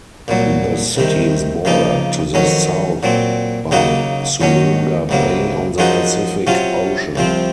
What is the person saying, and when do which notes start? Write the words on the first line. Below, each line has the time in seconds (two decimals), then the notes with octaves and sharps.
The city is bordered to the south by Suruga Bay on the Pacific Ocean.
0.28 C2 A#2 F#3
0.97 C2 C3 D#3
1.65 C#3 F3 A#3 D#4
2.34 F2 D#3 F#3 C#4
3.03 A#2 F#3 C4
3.71 C#3 F#3 A#3 D#4 F#4
4.41 D#2 D#3 F#3 C#4
5.09 C#2 C3 F#3 A#3
5.78 F#2 F3 G#3 D#4 F#4
6.47 C3 F#3 C#4 F4
7.16 C2 C3 F3 C4